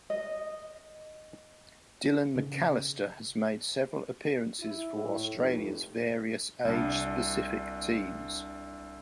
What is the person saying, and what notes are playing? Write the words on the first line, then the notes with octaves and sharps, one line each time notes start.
Dylan Macallister has made several appearances for Australia's various age-specific teams.
D#5
C#3
E4
A2
F1
C2 D4